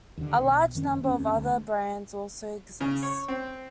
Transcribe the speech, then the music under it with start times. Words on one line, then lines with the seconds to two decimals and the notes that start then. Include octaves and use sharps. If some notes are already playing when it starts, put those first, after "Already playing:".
A large number of other brands also exists.
0.17 D#2 D3
0.37 B1
0.75 F#1 D#3 C#4
1.03 F1 D#2 C4 C#4
1.34 D2
2.81 C#3
3.03 C#5
3.28 C4